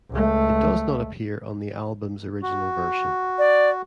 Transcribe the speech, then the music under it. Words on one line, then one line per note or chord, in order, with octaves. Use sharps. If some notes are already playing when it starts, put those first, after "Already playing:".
It does not appear on the album's original version.
C#2 A3
F#4
D5